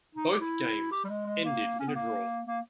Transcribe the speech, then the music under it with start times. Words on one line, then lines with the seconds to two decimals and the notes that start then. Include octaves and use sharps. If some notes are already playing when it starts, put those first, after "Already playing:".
Both games ended in a draw.
0.15 D#4
0.32 G4
0.41 E4
0.92 G4
1.04 G3
1.09 G#3
1.26 G#3
1.44 A#3
1.80 C#4
1.87 B3
1.95 A#3
2.47 A#3